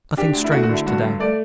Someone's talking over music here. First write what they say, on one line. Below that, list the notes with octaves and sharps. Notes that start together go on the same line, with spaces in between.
Nothing strange to day.
D4 G4
D2
E4
A3 F#4
F#4
D3 E4
G2 F#4
G2
A3 D5